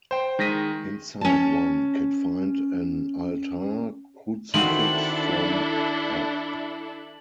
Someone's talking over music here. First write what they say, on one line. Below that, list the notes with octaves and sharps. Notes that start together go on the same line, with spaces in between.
Inside one can find an altar crucifix from ab.
C5 G5
D#3 G#3 A#6 B6 D#7
C#4 A5
D#3 C4 D4 E4 F#4 A4 F#7